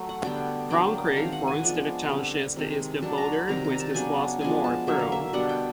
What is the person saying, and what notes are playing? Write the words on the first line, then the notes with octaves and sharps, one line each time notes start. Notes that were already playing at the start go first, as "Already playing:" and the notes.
Crum Creek forms the township's eastern border with Swarthmore Borough.
Already playing: F#3 A3
F#5
D3 G3 B3 D4 G5
F#3 A#3 D4 G5
D#3 G#3 C4 F5
F#5
G#5
F3 G#3 B3 D4
D3 G3 C4
C3 D#3 G#3 C4
F#3 A3 D4 A5
A#5
B5
C3 D#3 G3 C4 A#5
A#5
A5
C#3 F#3 B3 D4 G#5
F3 G#3 B3 D4 G#5
A5
D3 F#3 A#3 E5
F5
E5
B2 G3 B3 D4 F#5
G5